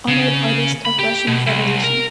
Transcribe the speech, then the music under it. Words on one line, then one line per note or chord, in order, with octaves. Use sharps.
Honored Artists of Russian Federation.
C#3
B5
G4
B2
C2
A#4